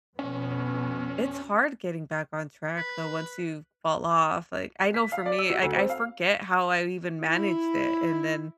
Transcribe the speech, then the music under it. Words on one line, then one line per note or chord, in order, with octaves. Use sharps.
It's hard getting back on track, though, once you fall off. Like, I know for me, like, I forget how I even managed it, and then,
F2 B2 B3 C#4
B4
B6
F5
D5
E6
F#4
D2
C4
F5
E4